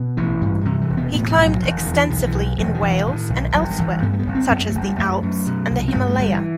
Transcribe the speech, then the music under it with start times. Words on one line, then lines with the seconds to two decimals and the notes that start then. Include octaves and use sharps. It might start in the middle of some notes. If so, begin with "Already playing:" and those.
He climbed extensively in Wales and elsewhere, such as the Alps and the Himalaya.
Already playing: B2
0.17 A1 E3
0.41 G2
0.65 C3 E3
0.81 E3
0.90 E1
0.97 B3
1.13 A2 B3
1.30 E3
1.37 B1
1.46 F#3
1.62 E1
1.78 D#3
1.86 E2
1.94 E3
2.10 B1 D#3
2.26 E3
2.34 B1
2.58 E1 F#3
2.74 D#3
2.82 E1
2.90 E3
3.06 A2 D#3
3.30 B1
3.54 G1 F#3
3.62 E3
3.70 D#3
3.79 G1 E3
4.02 G2 B3
4.13 A3
4.19 B3
4.27 G1
4.35 C4
4.50 F#2 B3
4.66 A3
4.75 F#1
4.83 G3
4.98 F#2 A3
5.23 F#2
5.47 B2
5.71 C2
5.88 C4
5.95 G2 B3
6.07 A3
6.19 G1 G3
6.31 E3